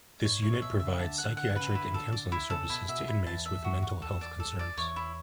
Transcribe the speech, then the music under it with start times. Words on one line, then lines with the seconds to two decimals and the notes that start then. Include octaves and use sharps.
This unit provides psychiatric and counselling services to inmates with mental health concerns.
0.24 G#2 C#5
0.42 A2 C#5
0.62 B2 E5
0.80 C#3 E5
0.99 D3 A5
1.18 F#5
1.24 D3
1.37 F#5
1.50 D3
1.56 C#3 B4
1.69 D3
1.75 E4
1.94 A4
2.12 D5
2.32 E4
2.50 C#3 A4
2.70 B2 E4
2.88 B2 E5
3.08 E4
3.27 E2 A5
3.46 E5
3.64 F#4
3.82 F#4
4.02 A4
4.21 D5
4.40 A4
4.59 D5
4.77 E2 C#5
4.96 E4